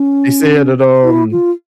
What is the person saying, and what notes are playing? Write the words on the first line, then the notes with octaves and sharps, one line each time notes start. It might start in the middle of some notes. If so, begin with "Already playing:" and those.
they said that, um
Already playing: C#4
E4
F4